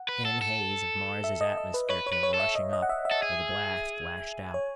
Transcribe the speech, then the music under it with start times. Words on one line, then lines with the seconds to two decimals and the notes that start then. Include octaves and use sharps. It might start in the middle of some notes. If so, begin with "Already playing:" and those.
The thin haze of Mars' atmosphere came rushing up, while the blast lashed out.
Already playing: F#5
0.09 B4
0.25 A4
0.41 A4
1.24 E5
1.41 D#5
1.57 D#5
1.74 B4
1.89 B4 C#5
2.06 C#5
2.12 B4
2.23 C#5
2.34 A4
2.40 E5
2.55 D#5
2.73 D#5
2.82 F#5
2.89 E5
3.05 E5
3.11 A4
3.22 G#4
4.54 C#5